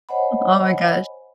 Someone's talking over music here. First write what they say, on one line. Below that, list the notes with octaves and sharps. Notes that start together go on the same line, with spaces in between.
oh my gosh.
C5 C#5 D#5 F#5 G#5 B5